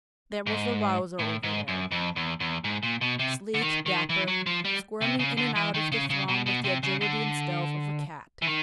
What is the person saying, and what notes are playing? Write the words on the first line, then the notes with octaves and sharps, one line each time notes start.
There was the Wowzer over there--sleek, dapper, squirming in and out of the throng with the agility and stealth of a cat.
G#2
A2
G#2
F#2
F2
E2
E2
G#2
A#2
B2
C3
D3
D#3
D#3
E3
F#3
F3
G3
C3
C#3
D3
E3
D#3
C#3
C#3
B2
B2
C3
C#3
D3
E3
D#3